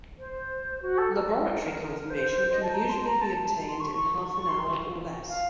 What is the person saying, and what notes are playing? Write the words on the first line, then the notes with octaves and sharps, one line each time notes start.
Laboratory confirmation can usually be obtained in half an hour or less.
C5
F#4
A4
A#4
C5
C5
D#5
A5
A#5
C6
A#5
A5
C6
C#6
C#6
C#6
C6
F5